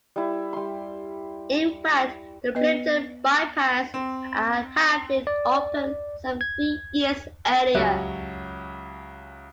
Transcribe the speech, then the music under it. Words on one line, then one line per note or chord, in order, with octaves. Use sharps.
In fact, the Plympton bypass had been open some three years earlier.
G3 E4
G3 C6
B3 B4 D#5
C4
D5
G#6
C#2 F#3 C#4 G4 E5 F#6